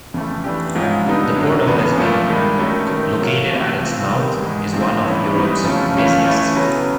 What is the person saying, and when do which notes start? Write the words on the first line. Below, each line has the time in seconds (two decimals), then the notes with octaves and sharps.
The Port of Lisbon, located at its mouth, is one of Europe's busiest.
0.14 F2 C#3 E3 A3
0.44 E3 A3 D4 G4
0.75 G#2 F3 G#3 C#4
1.06 D3 G3 B3 D#4
1.36 F#2 D3 F#3
1.67 E2 C#3 F#3 B3 D4
1.98 A#2 F3 A3
2.28 G2 D#3 G#3
2.58 D#3 F#3 A3 C#4
2.89 D#3 F#3 A3
3.19 F3 A#3 C#4 F#4
3.51 C3 E3 A3
3.80 C3 F3 A3 C4
4.11 D#3 G3 B3
4.42 G#2 E3 G#3
4.72 D3 F3 A3 C4
5.03 G2 E3 A3 C#4 E4
5.33 E3 G3 B3 D#4
5.63 F2 C#3 F3 A3 C#4
5.95 C#3 E3 A3 C#4 F4
6.25 E3 A3 C#4 E4
6.56 C#3 F#3 B3